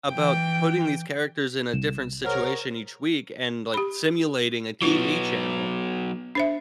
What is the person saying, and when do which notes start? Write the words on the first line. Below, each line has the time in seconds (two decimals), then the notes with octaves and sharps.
about putting these characters in a different situation each week and, like, simulating a TV channel
0.13 E3 G5
1.73 C2 E7
2.23 G#4 A#4 C5 C#5 F#5 F6
3.74 G4 B5
4.82 F#3 B3 E4 F4
6.35 D4 C5 E5